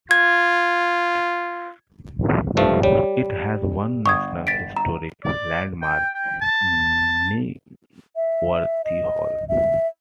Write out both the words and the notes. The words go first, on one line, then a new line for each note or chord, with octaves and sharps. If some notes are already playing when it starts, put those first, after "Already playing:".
It has one National Historic Landmark, Kenworthy Hall.
F4 G#6
G2 F3 A3
G3 C#5
G1 C#6 D#6 G#6
A6 B6 D7
A#5
D5
G5
G5
A5
E5
D#5
E5